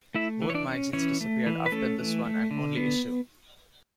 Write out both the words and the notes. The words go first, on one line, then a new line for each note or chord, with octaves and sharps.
Both magazines disappeared after this one and only issue.
A3 E4 E5
E3
C#5
D4 D5
C#4
E3 C#4 C#5
A3
E3
B4
A3 C#4 A4
E3
A3
D3
B3